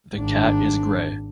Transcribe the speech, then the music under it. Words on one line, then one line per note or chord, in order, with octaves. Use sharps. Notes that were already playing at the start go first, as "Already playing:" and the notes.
The cat is grey.
G#1 D4